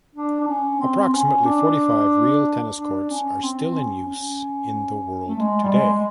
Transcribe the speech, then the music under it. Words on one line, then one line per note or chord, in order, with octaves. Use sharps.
Approximately forty-five real tennis courts are still in use in the world today.
D4
D4
C#4
C4
C4
C#4
D4
D4
C#4
C4
C#4
C#4
A3
G#3
G3
G#3
G#3